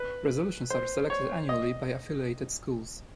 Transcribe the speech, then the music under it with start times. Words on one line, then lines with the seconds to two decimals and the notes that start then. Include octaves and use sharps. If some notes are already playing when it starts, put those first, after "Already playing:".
Resolutions are selected annually by affiliated schools.
Already playing: B4
0.70 C5
1.10 C#5
1.49 D#5